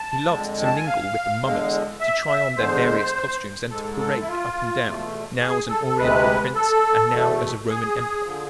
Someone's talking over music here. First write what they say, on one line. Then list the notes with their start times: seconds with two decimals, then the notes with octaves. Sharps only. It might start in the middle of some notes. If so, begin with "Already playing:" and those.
He loved to mingle with the mummers, to try on their various costumes, and to parade up and down, now as an oriental prince and now as a Roman emperor.
Already playing: A5
0.30 F2 D3 G#3
0.64 A5
0.75 G#5
0.87 F5
1.43 E2 D3 G#3
2.00 E5
2.29 E5
2.57 E2 D3 G#3 C5
3.70 G#2 G#3 A4
3.99 A4
4.21 E4
4.27 F4
4.84 E2 B2 A3
5.41 G#4
5.69 A4
5.86 A4
5.98 D2 C3 G#3 B4
6.55 A4
7.12 E2 B2 A3
7.69 G#4
8.25 D3 F3